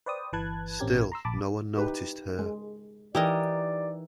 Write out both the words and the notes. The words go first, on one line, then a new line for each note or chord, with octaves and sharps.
Still no one noticed her.
B4 C5 D5 G5 D#6
G1 E3 B4 A5 F#6 G#6
A1 C4 C#4 G4 A#4 G#6
A#5 C6 E6
A#1 A5 B5 D6
D#4 G4 B4
G#3
E3 D#4 G4 A#4 D5